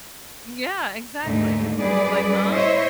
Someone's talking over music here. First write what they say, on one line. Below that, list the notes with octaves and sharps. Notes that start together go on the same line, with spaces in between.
Yeah, exactly. It's like, huh?
D#2 G#2 D3 A3 D#4
F#2 G3 G#4 B4 D5
E4 C5 C#5 D#5 E5